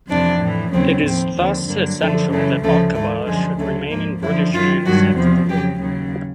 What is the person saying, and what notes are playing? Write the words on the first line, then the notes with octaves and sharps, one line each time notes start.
It is thus essential that Aqaba should remain in British hands after the war.
F2 C3 E3 D4
A2 E3
D#2 C#3 F#3 C4
A2 F3 C4
D#2 D3 F3 C4
G2 D3 F#3 A#3
F#2 D3 F3 A3
F#2 C#3 E3 A3
D2 C#3 F3 A3
G#2 E3 A3
F#2 D3 F3 G#3
D2 C#3 F#3 A3
G#2 F3 A#3
F#2 D3 F3 E4
F#2 D#3 F#3 F4
G2 D#3 F#3 F#4
E2 C3 F3
F2 C#3 F#3 G4
D#2 C#3 F#3